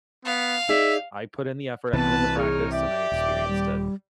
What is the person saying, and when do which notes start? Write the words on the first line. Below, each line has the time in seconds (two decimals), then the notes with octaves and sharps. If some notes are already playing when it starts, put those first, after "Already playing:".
"I put in the effort, I put in the practice, and I experienced it."
0.25 B3 F5
0.69 D#4 G#4 D5 E5
1.93 C2 C3 E3 B3 B4 A5
2.36 D#4 G#4 A#4 C#5
2.72 G4 D5 E5
3.12 D#1
3.48 G3